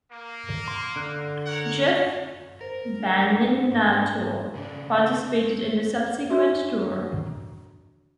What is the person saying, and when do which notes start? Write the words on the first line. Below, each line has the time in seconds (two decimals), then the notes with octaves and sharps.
Jeff Beninato participated in the subsequent tour.
0.10 A#3
0.68 C6
0.96 D3 F#6
1.46 A#4 C#5 F#5
2.61 A#4 C5
2.99 D4
3.71 G#2
4.55 C#3 D4
6.30 D4 F#4 E5